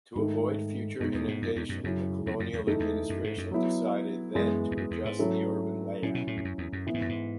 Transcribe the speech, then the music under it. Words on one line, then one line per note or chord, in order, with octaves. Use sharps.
To avoid future inundation, the colonial administration decided then to adjust the urban layout.
G#2 D#3 A3 D#4
F#2 B2 G#3 D#4
E2
G#2
F#2
E2
F#2
F#2 C#3 F#3 C#4 E4
E2
F#2
E2
F#2 E3 A3 D#4
E2
F#2
G#2
F#2
F#3 B3 E4
F#2 E3 G#3 B3
E2
F#2
E2
G#2
F#3 A3 C#4 E4
A2 F#3 C#4 E4
B2
A2
E2
F#2
E2
F#2
A2 E3 B3 E4
G#2
F#2
G#2